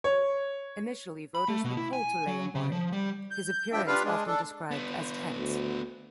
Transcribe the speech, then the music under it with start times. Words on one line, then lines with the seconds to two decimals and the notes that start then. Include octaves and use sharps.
Initially, voters were cold to Leijonborg, his appearance often described as tense.
0.04 C#5
1.35 B5
1.48 A3
1.64 B2
1.77 E4
1.93 G#5
2.27 F#3
2.55 C#3
2.72 F3
2.92 G3
3.31 G6
3.72 G2 F3 D4 E5 G5
3.87 G3 D4 F4 B4 F5
4.04 G#3 D4
4.27 D4 A4
4.71 B3 D4
5.37 D2